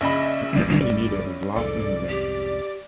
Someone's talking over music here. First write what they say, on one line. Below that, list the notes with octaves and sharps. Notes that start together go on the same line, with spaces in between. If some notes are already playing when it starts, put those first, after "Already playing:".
The union leader is Lars Lindgren.
A#1 C#3 D#5 E5 B5
G#1 D#2 G3 D5
C#4
C2 F2 G#2 A4 D5
G4